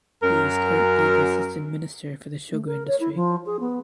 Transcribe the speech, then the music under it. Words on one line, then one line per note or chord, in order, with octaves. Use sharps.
He is currently the Assistant Minister for the Sugar Industry.
F#2 A#4
A3
A#4
C#5
E4
F3
G#4
B3